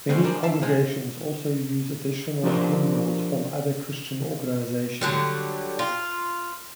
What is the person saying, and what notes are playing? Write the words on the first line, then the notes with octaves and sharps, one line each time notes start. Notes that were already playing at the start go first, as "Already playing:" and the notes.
Many congregations also use additional hymnals from other Christian organizations.
F#2 B2 G#3 C4 C#4
F3 G3 G#3 D4 A#4 D5
C3 D4 E5 F5 A5
C2 F3 G#3
F3 D4 G4 A#4 C5 D5
D3 F#3 G3
F4